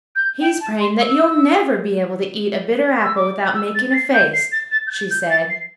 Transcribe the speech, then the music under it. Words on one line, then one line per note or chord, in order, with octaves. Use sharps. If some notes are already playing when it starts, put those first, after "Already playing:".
"He's praying that you'll never be able to eat a bitter apple without making a face," she said.
G6
G5
A5
C6
E6
E6
D6
E6
A6
A6
C7
G6
C7
A6
A6
G6
A6
G6
A6
C7